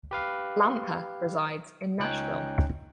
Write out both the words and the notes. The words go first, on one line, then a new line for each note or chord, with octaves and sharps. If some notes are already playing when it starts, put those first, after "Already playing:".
Lampa resides in Nashville.
G4 B4 F5
C#2 C#4 D#4 C#5 G5 F#6